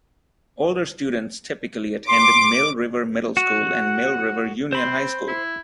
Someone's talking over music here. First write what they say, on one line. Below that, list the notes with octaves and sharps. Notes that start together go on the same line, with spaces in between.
Older students typically attend Mill River Middle School and Mill River Union High School.
C6 D6
F#4 F#5
C4 C5 B5 C6
E4